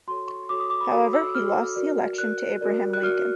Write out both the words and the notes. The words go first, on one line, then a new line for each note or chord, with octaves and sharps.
However, he lost the election to Abraham Lincoln.
F#4 A4 C#5 C6
C#6
F#4 A4 C#5 D6
D#6
D6
B5
F#4 A4 C#5 D#6
E6
F#4 A4 C#5 F6
F#4 A#4 D5
F#4 A#4 D5 F#6
F#4 A#4 D5
F#6
F#4 A#4 D5 F6